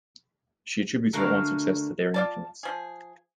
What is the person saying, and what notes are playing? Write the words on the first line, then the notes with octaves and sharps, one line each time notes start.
She attributes her own success to their influence.
D3 A3 F#4 A#4 F5
F4 D5 A5
F3 G#4